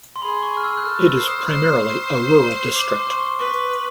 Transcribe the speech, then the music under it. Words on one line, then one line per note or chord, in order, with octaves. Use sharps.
It is primarily a rural district.
C6
G#4 B5
C6
C#6
F6
E6
F#6
A4 F6
E6
C5
D#6
C5
D6
C6
C#6
C6
B4 C#6